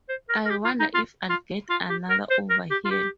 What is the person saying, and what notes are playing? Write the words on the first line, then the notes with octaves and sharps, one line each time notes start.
I wonder if I'll get another over here.
C5
A#4
A#4
G4
F4
D#4
F4
F4
F4
G4
A#4
C5
A#4
G4
F4
G4